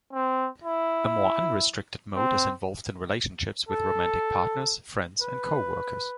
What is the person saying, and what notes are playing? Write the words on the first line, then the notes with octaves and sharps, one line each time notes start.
A more unrestricted mode is involved in relationships with romantic partners, friends, and coworkers.
C4
E4
C4
A4
B4